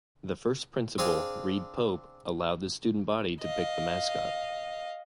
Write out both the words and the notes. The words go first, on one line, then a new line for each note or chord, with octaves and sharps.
The first principal, Reid Pope, allowed the student body to pick the mascot.
C4 D4 G#4 F5 G#5
D#5 F5